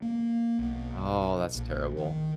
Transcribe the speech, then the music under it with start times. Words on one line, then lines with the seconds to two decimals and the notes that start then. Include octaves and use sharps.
Oh, that's terrible.
0.02 A#3
0.59 B1
1.54 A#1
1.97 D#3